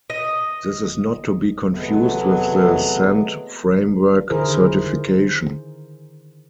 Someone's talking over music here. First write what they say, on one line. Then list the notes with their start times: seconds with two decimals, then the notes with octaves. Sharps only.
This is not to be confused with the Zend Framework Certification.
0.10 D#5
1.74 C3 E3 F#3 G#3 A3 B3
4.30 D3 D#3 E4 G#4 A#4 C5